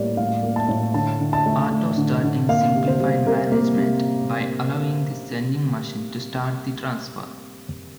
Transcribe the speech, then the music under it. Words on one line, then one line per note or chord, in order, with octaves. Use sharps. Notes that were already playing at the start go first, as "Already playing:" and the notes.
Auto-starting simplified management by allowing the sending machine to start the transfer.
Already playing: A2 G3 A#3 D5
A2 F5
A#3
A5
A2
D3 A5
D3
A5
A3
A3
D3
D3
A#3 F5
C3
C5
G3
C3 A#4
A#3
C3